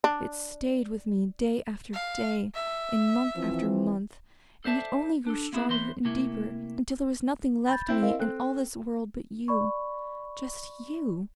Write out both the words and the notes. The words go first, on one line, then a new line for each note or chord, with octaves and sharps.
It stayed with me day after day, and month after month, and it only grew stronger and deeper until there was nothing left me in all this world but you--just you.
D4
F5
E5
E3 F3 C4
A4 C5 D5 E5 A5
D4 A4
A#3 C4 E4 F4 G#4 B4
E3 B3 C5 E5 C6
C3 A3 A#3 E4
B5 G6 A6
C4 E4 G6
A#4 D#5 F5
C4 A4 F#6
D5 B5 C#6